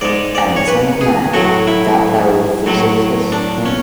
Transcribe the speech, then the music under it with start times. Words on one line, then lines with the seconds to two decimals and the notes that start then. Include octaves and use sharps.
And the son of man, that thou visitest him?
0.01 G#2 G#3 D5
0.35 D5
0.56 C#5
0.68 B4
1.01 G#4
1.33 A2 F#3 A3 F#4
1.67 E4
2.66 A2 F#3 A3
3.32 D4
3.66 C#4